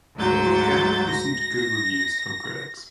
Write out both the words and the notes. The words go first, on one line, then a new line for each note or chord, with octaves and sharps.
The book generally received good reviews from critics.
D2 G#2 F#3 G6 A6
A#6